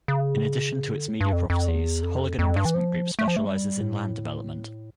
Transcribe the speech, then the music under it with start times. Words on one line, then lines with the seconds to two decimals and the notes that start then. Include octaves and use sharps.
In addition to its media properties, Holigan Investment Group specializes in Land Development.
0.08 C#3
0.97 D3
1.08 A2
1.21 G2
1.33 F2
1.50 F2
1.68 E2
2.03 F2
2.39 F2
2.56 G2
2.65 E3
2.74 F3
3.19 A3
3.28 F3
3.36 A3
3.45 G3
3.81 A2